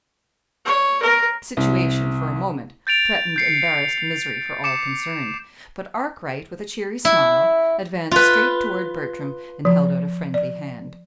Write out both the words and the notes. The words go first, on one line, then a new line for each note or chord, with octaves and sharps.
The situation, for a moment, threatened embarrassed misery for all concerned; but Arkwright, with a cheery smile, advanced straight toward Bertram, and held out a friendly hand.
C#5
A#4
C2
G6 A6 D7 F7
G6 C7 C#7
D6 C#7 E7
E4
F4 B4
F3
D5